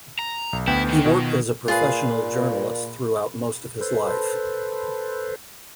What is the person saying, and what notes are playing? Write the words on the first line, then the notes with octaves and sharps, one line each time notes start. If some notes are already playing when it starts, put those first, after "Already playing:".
He worked as a professional journalist throughout most of his life.
A#5
B1
D2 B3 E4 G5
D#3
B2 F4 F#4
A#2 F4 G#4 B4
A4 B4 C5